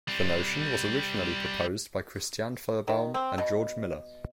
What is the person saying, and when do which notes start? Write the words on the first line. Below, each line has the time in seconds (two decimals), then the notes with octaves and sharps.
The notion was originally proposed by Christiane Fellbaum and George Miller.
0.08 G3 C4
2.88 D#3
3.14 C4
3.38 B2